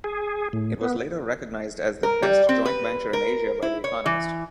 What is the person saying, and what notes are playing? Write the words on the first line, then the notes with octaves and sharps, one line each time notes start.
It was later recognized as the best joint venture in Asia by The Economist.
G#4
A2
B3
A#4
G3
C4
B4
A#4
E4
C#5
E3